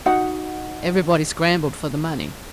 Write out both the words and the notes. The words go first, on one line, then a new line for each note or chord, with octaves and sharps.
Everybody scrambled for the money.
D#4 F#4 F#5